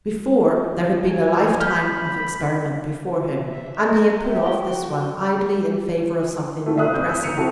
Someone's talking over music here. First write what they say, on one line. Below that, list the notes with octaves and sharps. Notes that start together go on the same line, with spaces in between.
Before there had been a lifetime of experiment before him, and he had put off this one idly in favour of something more pressing.
G#5
B5 F6 G6
E5
A#4 D#5
E5 G5
F#4
D#3 E3 A3
E5 F5 D#6 F#6
C2 G6
E6 B6
C#7 D#7 F7
C4 E4 F#4 G4 A4